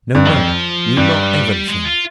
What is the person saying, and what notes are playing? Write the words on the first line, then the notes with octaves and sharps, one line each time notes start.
No, no; you know everything.
G2
F2 F3
G2 G3
G#3
F4